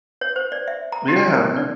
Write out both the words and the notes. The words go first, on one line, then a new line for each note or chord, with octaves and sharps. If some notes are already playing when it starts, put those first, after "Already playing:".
Yeah, man.
C#5
C5
D5
E5
A#5
G4
E4
A#4
D5